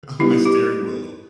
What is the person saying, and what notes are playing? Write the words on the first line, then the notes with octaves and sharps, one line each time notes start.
on my steering wheel,
G3 B3 D#4 E4
G4